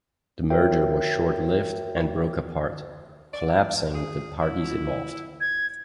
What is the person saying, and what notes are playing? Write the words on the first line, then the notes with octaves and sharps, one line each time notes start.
The merger was short-lived and broke apart, collapsing the parties involved.
F#4 A#4 C#5 E5 G5
D5
G#4
E4
G#6